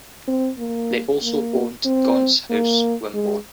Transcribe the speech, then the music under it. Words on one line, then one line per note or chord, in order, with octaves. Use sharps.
They also owned Gaunts House, Wimborne.
C4
A#3
A#3
C4
A#3
G#3